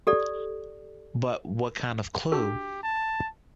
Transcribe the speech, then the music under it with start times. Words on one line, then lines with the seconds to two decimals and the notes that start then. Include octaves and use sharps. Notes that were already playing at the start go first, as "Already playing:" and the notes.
But what kind of a clue?
0.07 G4 A4 D5
2.32 D4 F#4 G4 A4
2.83 A5